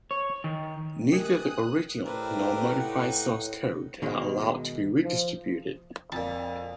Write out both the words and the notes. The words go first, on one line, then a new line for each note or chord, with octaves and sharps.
Neither the original nor modified source code are allowed to be redistributed.
C#5
D#3
A3 G4 A#4 D#5 G#5 D#6 F#6
A2 C4 D4 G4 A#4 B4
D#4 F#5
B2 D#3 G#3
F3
F2 A#2 A5